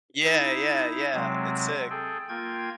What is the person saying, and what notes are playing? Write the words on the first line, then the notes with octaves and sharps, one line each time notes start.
Yeah, yeah, yeah, it's sick.
D#4 E4
C3 F#3 G#3 C4
G#4 A4 G5
A#3 F4 G5 G#6